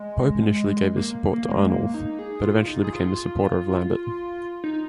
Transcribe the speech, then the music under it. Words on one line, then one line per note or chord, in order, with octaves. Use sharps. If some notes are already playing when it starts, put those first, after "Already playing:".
Pope initially gave his support to Arnulf, but eventually became a supporter of Lambert.
Already playing: G#3
A#3
A#3
A#3
G#3
A#3
D#4
G#4
F4
D#4
G#4
F4
D#4